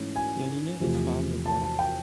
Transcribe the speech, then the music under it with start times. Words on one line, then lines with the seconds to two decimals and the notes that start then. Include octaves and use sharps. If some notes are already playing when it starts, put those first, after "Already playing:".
Yanina is fond of running.
Already playing: G#2 E3 A3 C#4
0.16 G#5
0.80 E2 C3 F3 A3
1.46 A5
1.62 A5
1.79 G5